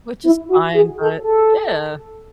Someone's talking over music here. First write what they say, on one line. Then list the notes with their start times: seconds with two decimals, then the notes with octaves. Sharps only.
Which is fine. But, yeah.
0.24 E4
0.49 F#4
0.74 G#4
1.00 A4
1.24 A4